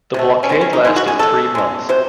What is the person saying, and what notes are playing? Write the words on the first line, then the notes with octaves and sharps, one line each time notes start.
The blockade lasted three months.
C3 F#3 A3
C#4
D#3 G#3 C4
C#4
D#4
D#3 G#3 E4
F#4
G#4
C#3 G#3 A4
C#3 G#3
C3 F#3 C5